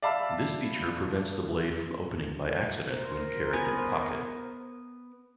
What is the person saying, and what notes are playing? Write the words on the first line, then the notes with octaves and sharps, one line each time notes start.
This feature prevents the blade from opening by accident when carried in a pocket.
D5 E5 F5 A5 B5 E6
A#4 C5
B3 B4 G#5